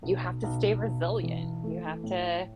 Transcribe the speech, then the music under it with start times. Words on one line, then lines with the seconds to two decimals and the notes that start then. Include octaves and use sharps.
you have to stay resilient. You have to,
0.03 B1
0.44 B1
0.83 B1
1.23 E3
1.63 A3
2.04 A2